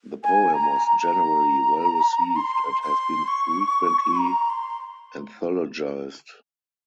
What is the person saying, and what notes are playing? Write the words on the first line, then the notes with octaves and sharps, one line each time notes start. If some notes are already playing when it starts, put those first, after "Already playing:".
The poem was generally well received and has been frequently anthologized.
G#5
A#5
A#5
C6
C6
C#6
A#5
C6